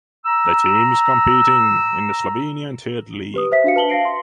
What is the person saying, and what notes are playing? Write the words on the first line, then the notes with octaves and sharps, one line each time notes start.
The team is competing in the Slovenian Third League.
A#5 E6
G4 B4 D#6
C5 E5 B6
D4 F#4 F5 C#7
B4 A5 F#7 G7
F5 A5 A#6 C7 D7
C6